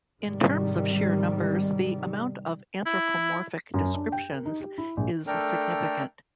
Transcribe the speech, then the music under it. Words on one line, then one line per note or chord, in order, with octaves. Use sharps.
In terms of sheer numbers the amount of anthropomorphic descriptions is significant.
G#2 C3 D#3 G3
E4
F#2
D4
G5
A#4
D#4
G4
E4
A#1
A3 D4 A4 A#4 G5 F6